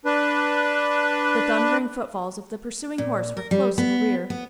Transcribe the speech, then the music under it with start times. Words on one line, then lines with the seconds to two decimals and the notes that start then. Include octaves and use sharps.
The thundering footfalls of the pursuing horse were close in the rear.
0.05 D4 B4
2.98 A#2
3.37 A#4
3.51 G3
3.78 B3
4.30 B3